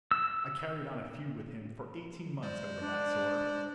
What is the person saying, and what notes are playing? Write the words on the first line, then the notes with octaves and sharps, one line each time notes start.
I carried on a feud with him for eighteen months over that sword.
E6
G#3 C5 D5
D4